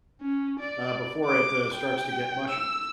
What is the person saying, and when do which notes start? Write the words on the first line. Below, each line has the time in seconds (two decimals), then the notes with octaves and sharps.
uh, before it, uh, starts to get mushy.
0.21 C#4
0.60 D5
1.25 D6
1.75 G5
2.50 E6